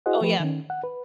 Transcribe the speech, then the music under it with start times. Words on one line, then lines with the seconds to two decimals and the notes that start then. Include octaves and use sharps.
Oh, yeah.
0.06 E4 F#4 G#4 C5 D#5 F#5
0.21 F3 A3 G4 B4
0.40 D#3 C#4
0.70 F#5
0.84 B4